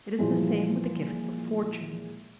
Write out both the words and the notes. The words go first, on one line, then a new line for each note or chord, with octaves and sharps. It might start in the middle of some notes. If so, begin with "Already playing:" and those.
It is the same with the gifts of fortune.
A#2 E3 F3 G3 G#3